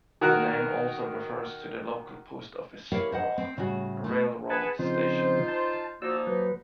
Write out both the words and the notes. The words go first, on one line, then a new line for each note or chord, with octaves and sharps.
The name also refers to the local post office or railroad station.
D#3 F#4 A#4 F#6
E4 G4 A#4 C#5 D5 F5
C5 D#5 F#5
C4
A2 C#3 G3 F#4
A3 E4 F#4
G#4 B4 F#5 G#5 A5
C#3 F3 C4 D#4 F4 C5
A5
F3 A#3 D#4 F#4 D5 E6
F#3 B4